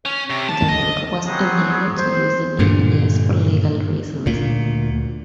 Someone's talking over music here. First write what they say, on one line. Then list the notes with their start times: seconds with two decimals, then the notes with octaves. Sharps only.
The group was unable to use the name Yes for legal reasons.
0.05 C#4
0.30 C3
0.49 A5
0.69 D#5
1.26 F#3 B3 C4 G4 G#4
1.97 C5
2.59 G2 A#2 D3
4.26 D2 A#2